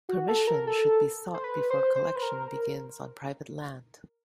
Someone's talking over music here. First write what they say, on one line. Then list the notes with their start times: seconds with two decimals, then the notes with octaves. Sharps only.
Permission should be sought before collection begins on private land.
0.09 F#4
0.28 A4
0.47 A#4
0.67 A4
1.34 C5
1.44 B4
1.71 C5
1.96 C5
2.16 B4
2.22 A#4
2.48 A#4